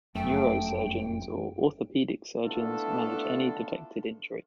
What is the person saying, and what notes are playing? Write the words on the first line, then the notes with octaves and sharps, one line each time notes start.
Neurosurgeons or orthopaedic surgeons manage any detected injury.
F1 F#2 A3 G5
A3 B3 D4 E4 F4 A4